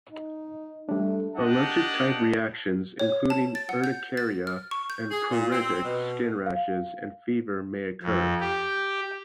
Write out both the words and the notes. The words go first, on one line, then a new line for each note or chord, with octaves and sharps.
Allergic-type reactions, including urticaria, pruritic skin rashes, and fever, may occur.
D#4
G3 A3 D4
A#3 D4 G4 D#5 F#5 A5
C#5
A5
A6
F#5
G6
A6
F6
C#6
G6
G#4
A#2
C4
B2
F5
F2
G4